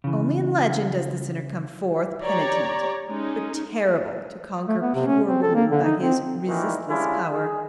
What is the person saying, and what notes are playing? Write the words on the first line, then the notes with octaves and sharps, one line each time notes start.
Only in legend does the sinner come forth penitent, but terrible, to conquer pure woman by his resistless power.
C#3 E3
G4 C#5 D5 A#5
G#3 C#4 D#4
A3
B3
C3
C#4
C4
A4
A#3
D3
D#4
C4
A#2 D#3 E3
G3 G#3 C#4 D4 E4 F4
G#4